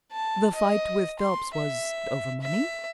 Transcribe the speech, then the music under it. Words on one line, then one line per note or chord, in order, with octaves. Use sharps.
"The fight with Phelps was over money?"
A5
D#5
C6
E5
E5